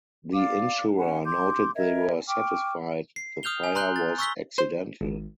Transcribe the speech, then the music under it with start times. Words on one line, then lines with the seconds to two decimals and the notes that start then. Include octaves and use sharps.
The insurer noted they were satisfied the fire was accidental.
0.33 D5 F5 D6
0.97 C#4 F#5 G#5
1.25 C6 D6 G6
1.75 A#4 C#5 D#5 E5
2.27 G5 C#6 D6 F6
3.16 C7
3.43 D#6 F6 G6 F7 G7
3.64 G#5
3.75 A#5 C6 F#6 G6 G7
3.96 A6
4.19 C#6 E6 B6 G7
4.58 C5
5.01 G#1